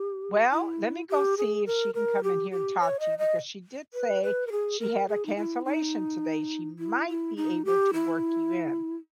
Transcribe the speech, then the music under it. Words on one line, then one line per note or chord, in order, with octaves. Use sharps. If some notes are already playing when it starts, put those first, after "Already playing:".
"Well, let me go see if she can come in here and talk to you because she did say she had a cancellation today, she might be able to work you in."
Already playing: G4
E4
G4
G#4
A#4
A#4
G4
G4
C#5
D#5
D#5
B4
B4
A#4
G#4
A#4
G#4
D#4
E4
D#4
E4
E4
D#4
G4
E4